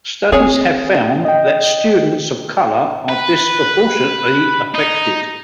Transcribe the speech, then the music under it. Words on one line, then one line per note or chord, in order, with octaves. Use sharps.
Studies have found that students of color are disproportionately affected.
C4 G#4 C#5 G#5
D#5 G5
B4
D#4